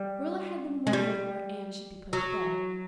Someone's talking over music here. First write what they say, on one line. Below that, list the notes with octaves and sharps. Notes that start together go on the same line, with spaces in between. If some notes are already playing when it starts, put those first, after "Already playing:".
Marilla had been wondering where Anne should be put to bed.
Already playing: G3
G#3
G3
F#3